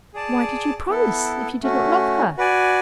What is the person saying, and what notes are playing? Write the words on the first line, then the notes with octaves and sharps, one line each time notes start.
"Why did you promise if you do not love her?"
G#4 D5 A5
B3 E4 A4
A3 C#4 F#4
F#4 B4 D5 G#5